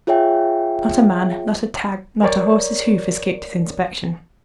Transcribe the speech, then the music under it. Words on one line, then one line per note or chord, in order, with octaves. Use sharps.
Not a man, not a tag, not a horse's hoof escaped his inspection.
F4 G#4 C#5 E5 G5
A#4 C#5 D5